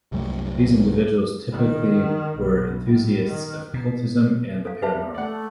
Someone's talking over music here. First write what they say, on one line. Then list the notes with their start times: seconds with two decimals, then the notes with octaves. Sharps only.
These individuals typically were enthusiasts of occultism and the paranormal.
0.12 C2 F#2 G3 A3
1.52 D#3
2.37 B1
2.85 A2
3.28 D#3
3.74 B2
4.65 A4 F5
4.82 G3 B4 E5 A5
5.15 A3 D5 F#5